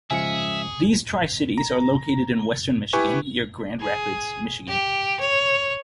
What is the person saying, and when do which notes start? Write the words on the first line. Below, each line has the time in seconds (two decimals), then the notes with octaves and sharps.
These tri-cities are located in Western Michigan, near Grand Rapids, Michigan.
0.11 C#3 F3 G#3 G#4 E5 G#5 C#7
1.58 A#5
2.93 E4 G4 B4 G#5 C#6
3.81 G#4
4.68 G4
5.20 C#5